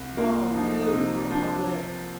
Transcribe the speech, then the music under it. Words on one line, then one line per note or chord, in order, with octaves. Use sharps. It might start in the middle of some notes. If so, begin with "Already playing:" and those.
"Long live the Republic!"
Already playing: C2
A#3 F4
F3 D#4
C3
F3 D4